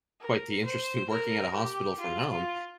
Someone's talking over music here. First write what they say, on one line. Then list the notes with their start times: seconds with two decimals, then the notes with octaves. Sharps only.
quite the interesting working at a hospital, from home.
0.20 A#4
0.65 C5
1.09 A#4
1.54 G4
1.99 F4
2.30 F4